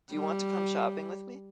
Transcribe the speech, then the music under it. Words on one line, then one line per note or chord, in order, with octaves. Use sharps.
Do you want to come shopping with me?
G3